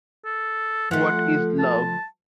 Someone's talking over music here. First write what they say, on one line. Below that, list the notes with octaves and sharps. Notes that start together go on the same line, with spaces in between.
What is love?
A4
F3 A3 F#5
A5